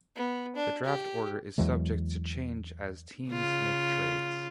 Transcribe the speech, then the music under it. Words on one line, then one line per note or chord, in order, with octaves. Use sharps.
The Draft order is subject to change as teams make trades.
B3
D4
G4
E2 E3 F#3 G#3
C#3 F4